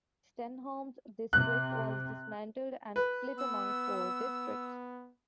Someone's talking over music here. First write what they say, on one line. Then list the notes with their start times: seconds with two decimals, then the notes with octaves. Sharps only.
Stenholm's district was dismantled and split among four districts.
1.33 C3 F#6
2.96 B4
3.38 B3 E6